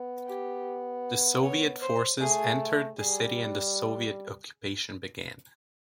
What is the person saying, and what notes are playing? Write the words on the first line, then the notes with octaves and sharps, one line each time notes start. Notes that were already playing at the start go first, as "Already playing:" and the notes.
The Soviet forces entered the city and the Soviet occupation began.
Already playing: B3
G4
C#5
C5
A3 G#4
G3 G#4